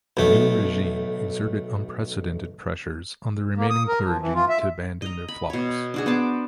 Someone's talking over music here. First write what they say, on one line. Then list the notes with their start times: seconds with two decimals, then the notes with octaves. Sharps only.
The new regime exerted unprecedented pressures on the remaining clergy to abandon their flocks.
0.17 B1 A3
3.57 A#3
3.70 D#6
3.88 A#4
4.03 F3
4.21 E3
4.35 F4
4.49 E5
5.02 D#5 A#5
5.28 B5
5.50 B2 C#5
5.94 D4 F#4 G#4
6.06 B3 C5 A5 D6